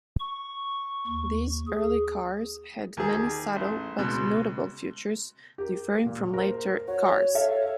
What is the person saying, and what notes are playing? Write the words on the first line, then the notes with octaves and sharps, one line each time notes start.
These early cars had many subtle but notable features differing from later cars.
C#6
D#2
G#4
D#2 G#4
A1
C#2 B2
G4 A#4
A#2
A#4 C5
F#4 C#5
A4 E5 F5